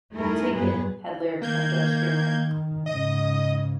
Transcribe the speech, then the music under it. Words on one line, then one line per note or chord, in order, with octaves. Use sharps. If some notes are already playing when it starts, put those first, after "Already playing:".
"Take It" had lyrics from Joe Strummer.
G3 A3 D#4 E4 G#4 A#4
G2 A#2 F#3 B3 G#4 B4
D#3 A#3 G6 G#6
G#2 C#3 D#5 D#6